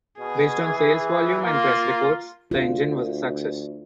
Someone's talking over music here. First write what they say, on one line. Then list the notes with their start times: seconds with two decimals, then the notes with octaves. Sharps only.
Based on sales volume and press reports, the engine was a success.
0.19 B2 G#4
0.66 E3
1.43 A#3 F4
2.51 D2 F4